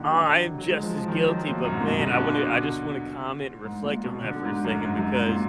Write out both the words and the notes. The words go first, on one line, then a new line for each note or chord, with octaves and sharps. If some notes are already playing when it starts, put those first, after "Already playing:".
Uh, I am just as guilty, but man, I wanna I just wanna comment, and reflect on that for a second because
Already playing: A#2 D3 D#3
F#3
F#3
G#3
F3
F3
D#3
F3
F#3
A#2
F#2
G#2
A#2
B2
B2
D3
B2
A#2
G#2
A#2
B2
D3
G#2
F#2
G#2
F#2
G#2
A#2